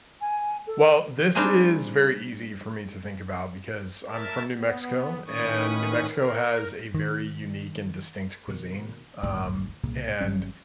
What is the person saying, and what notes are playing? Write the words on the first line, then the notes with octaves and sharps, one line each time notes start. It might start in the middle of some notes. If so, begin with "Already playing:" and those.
Well, this is very easy for me to think about, because I'm from New Mexico, and New Mexico has a very unique and distinct cuisine. Um, and
G#5
A4
G3 C4 D4 D#4 G#4
A#4 E5 A5
B3
A2 D#3 C#4 B4 C#6 D#6
A#4
D#3
B2 D#3
D#1 G#1 D2 G#2
C2 A#2 C#3
G#1 G2 F#3 C#4